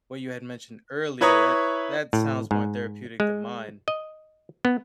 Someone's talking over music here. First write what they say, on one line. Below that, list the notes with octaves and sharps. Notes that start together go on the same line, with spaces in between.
what you had mentioned earlier, that that sounds more therapeutic than mine.
E4 B4 C#5 A#5 C#6 D#6
A2
G#2
G#3
D#5
B3